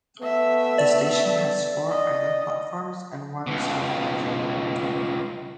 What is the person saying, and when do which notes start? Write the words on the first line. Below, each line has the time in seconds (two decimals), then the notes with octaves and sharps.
The station has four island platforms and one side platform.
0.21 A3 B3 E5
0.78 D5
1.90 D#5
3.47 C#2 B2